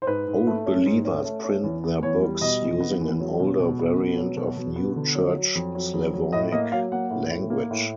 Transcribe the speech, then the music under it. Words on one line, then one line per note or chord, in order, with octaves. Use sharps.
Old Believers print their books using an older variant of New Church Slavonic language.
C5
G#2 B4
G#2
A3
C#4
G#2
C#4
A3
C#4
E2
B3
E2 C#5
G3
B2 D#5
E2
B3
E2
F#3
B2
B2
B3
B2
F#3
B2
B2
B3
D3
F#3
F#3
F2
F#3
F2
F#3
A2 D#5
A#3 D#5
F#3 F5
A#3 F#5
A2
A2
A#3
A2